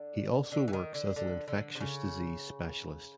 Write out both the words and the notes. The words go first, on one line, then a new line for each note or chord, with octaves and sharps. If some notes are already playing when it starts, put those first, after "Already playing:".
He also works as an infectious disease specialist.
Already playing: D3
D3
E3
D#3
D3
D3
D3
C3
C#3